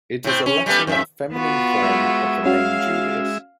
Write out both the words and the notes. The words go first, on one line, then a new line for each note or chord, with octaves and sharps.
It is a Latinate feminine form of the name Julius.
A2 C4
C#4
G3 A3 B3
F2 G#2 E5
B3 F4 F#4
G#3 E5
C#4 F#4 F5 F6